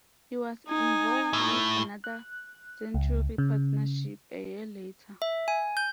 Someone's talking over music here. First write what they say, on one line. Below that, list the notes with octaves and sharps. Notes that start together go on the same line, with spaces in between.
He was involved with another century partnership a year later.
D#4 G#5
A2 A3
F#6
C#2
C#3
E5
G#5
G6